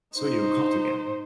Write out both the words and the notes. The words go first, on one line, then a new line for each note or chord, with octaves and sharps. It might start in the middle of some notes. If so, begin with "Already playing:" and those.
So you are caught again!
D#4 C5